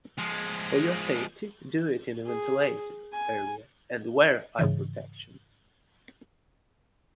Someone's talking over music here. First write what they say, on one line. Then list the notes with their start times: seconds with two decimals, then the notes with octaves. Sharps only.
For your safety, do it in a ventilated area and wear eye protection.
0.18 F3 G#3
2.26 G#4
3.13 G#5
4.59 G#2 C#3 E3